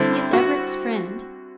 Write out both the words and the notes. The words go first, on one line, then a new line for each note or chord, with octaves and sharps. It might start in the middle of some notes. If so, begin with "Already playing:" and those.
He is Everett's friend.
Already playing: D3 G3 C4 E4
F#4